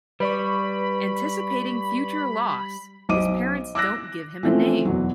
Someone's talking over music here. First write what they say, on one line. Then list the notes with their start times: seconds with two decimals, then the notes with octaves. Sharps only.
Anticipating future loss, his parents don't give him a name.
0.20 G3 B4 D5 B5 C#6
3.09 B1 C5 D#5 D6 D#7
3.75 D6 E6 F#6 A#6
4.43 E3 F3 A3 C4 C#4
4.85 E2 B2 F#3